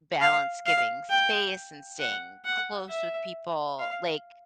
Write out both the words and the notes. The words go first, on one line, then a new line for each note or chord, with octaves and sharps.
balance giving space and staying close with people? Like
F5
F5
G5
F#5
F#5
E5
F5